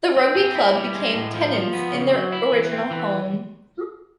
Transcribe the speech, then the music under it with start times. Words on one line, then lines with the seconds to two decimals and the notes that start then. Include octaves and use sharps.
The rugby club became tenants in their original home.
0.16 C4
0.35 G#4
0.55 E4
0.75 G3
0.95 G#3
1.14 A2
1.34 F3
1.53 F3
1.73 B3
1.93 C#3
2.12 F#3
2.32 E4
2.52 E3
2.71 C4
2.91 E3